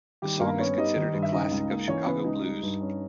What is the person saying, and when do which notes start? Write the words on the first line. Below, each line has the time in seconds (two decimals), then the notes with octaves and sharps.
The song is considered a classic of Chicago blues.
0.22 D#3 G3 G4
0.40 G2 A#3 A#4
0.59 B3 C#4 C#5
0.78 G3 D#4 D#5
0.96 D#3
1.14 G2
1.22 E5
1.32 C#3 D#4 D#5
1.51 C#2
1.70 A#3
1.88 E3 C#4 C#5
2.06 C#3 B3 B4
2.24 C#2 D#4
2.43 G3 D#4
2.62 G2
2.80 C#4